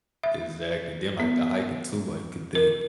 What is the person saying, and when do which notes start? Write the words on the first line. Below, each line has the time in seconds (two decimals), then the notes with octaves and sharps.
Exactly. Then, like, the hiking too, like, you could think
0.23 E5
1.20 B3
2.55 A#4